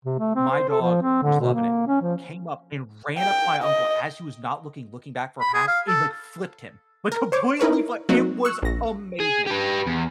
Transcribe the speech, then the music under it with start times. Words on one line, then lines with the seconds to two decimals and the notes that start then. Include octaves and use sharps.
my dog was loving it, came up and ran up to my uncle as he was not looking, looking back for a pass and, like, flipped him, like, completely flat, it was amazing.
0.05 C3
0.19 A3
0.36 C4
0.51 C5
0.69 A4
0.82 F3
1.02 C4
1.23 D3
1.41 B2
1.54 A#3
1.87 C#4
2.02 F3
3.18 G5
3.63 D#5
5.41 B5
5.54 G#4
5.68 F5
5.88 A4
7.12 A#4
7.32 C5 C#5 D6
7.60 D#4 E4 A#4 B4 C#5
8.09 F#3 A#3 C4 D#4 F#4
8.45 C#6 E6 F#6
8.62 A#1 A#6
9.20 G#4
9.47 G4 B4
9.87 E2